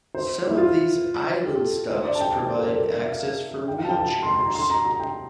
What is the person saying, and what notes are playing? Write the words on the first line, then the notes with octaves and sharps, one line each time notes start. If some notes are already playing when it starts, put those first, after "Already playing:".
Some of these "island" stops provide access for wheelchairs.
C5
E4
F4
G4
A4
C5
D5
A5
G5
G5
C5
A#4
A4
A#4
D5
E5
F5
G5
F5
A5
G5
A5
C6
C6
A#5
C6
A#5
A#5
G5